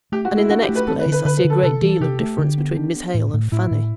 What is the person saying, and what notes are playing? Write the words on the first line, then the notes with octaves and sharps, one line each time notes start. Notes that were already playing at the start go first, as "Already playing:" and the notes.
And in the next place, I see a great deal of difference between Miss Hale and Fanny.
A3 G4
F#4
A3
E4
D4 F#4
G4
A3
B4
C4 A4
B4
D3
B4
D3 B4
B4
D3
A4
C3 A4
E3
C3 G4
A3
D3
B3
D4
B3
A2
A2
A2 E4
A2